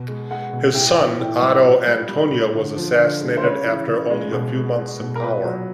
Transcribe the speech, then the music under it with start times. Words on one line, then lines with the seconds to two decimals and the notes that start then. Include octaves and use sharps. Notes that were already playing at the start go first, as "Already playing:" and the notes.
His son, Oddo Antonio, was assassinated after only a few months in power.
Already playing: B2
0.08 G#3
0.31 G#3 F#5
0.53 B2
0.75 A2 G5
0.98 E3
1.20 A2 G5
1.42 G3
1.64 A#2
1.87 G3
2.09 G3
2.32 A#2
2.54 D3
2.77 F3
2.98 D3
3.21 G#3
3.37 C5
3.44 C#3 C#5
3.65 E3
3.88 C#3
4.10 G#3
4.32 B2
4.55 G#3
4.77 G#3
5.00 B2
5.16 A#4
5.22 A#2 B4
5.45 F#3